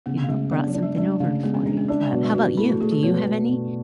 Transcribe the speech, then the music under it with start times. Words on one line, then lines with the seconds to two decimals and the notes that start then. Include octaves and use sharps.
you know, brought something over for you." But how 'bout you? Do you have any?
0.06 C#3 B3
0.24 A3
0.28 C#3 G#3
0.52 B3 D4
0.67 F#3
0.74 D4
0.82 G#3
0.97 G#3 D4
1.20 C#3 A3
1.43 G#3 B3
1.54 C#4
1.65 G#3 D4
1.77 C#4
1.88 G#3 D4
2.00 G#3
2.12 B2 F#3
2.23 G#3
2.34 B2 F#4
2.57 A3 E4
2.69 F#4
2.81 A3 G#4
2.92 A4
3.03 B2 C#5
3.15 B4
3.26 B2
3.48 B2